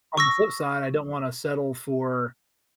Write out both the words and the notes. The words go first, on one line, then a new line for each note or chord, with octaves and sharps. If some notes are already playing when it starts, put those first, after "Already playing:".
On the flip side, I don't wanna settle for
C#6 E6 A#6